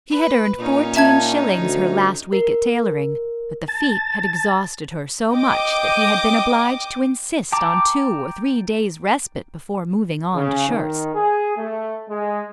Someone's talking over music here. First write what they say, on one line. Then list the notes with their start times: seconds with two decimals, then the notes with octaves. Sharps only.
She had earned fourteen shillings her last week at tailoring, but the feat had exhausted her so much that he had been obliged to insist on two or three days respite before moving on to shirts.
0.10 B4
0.58 A#2 C#4 D#4
0.96 E5 A5 G#6
1.58 D2
2.33 A#4
3.68 A5 A6
5.33 D#5 G5 D6
7.52 G5 A5 A#5 D6
10.35 C#3
10.68 D#3
11.15 G#4
11.57 A3
12.09 G#3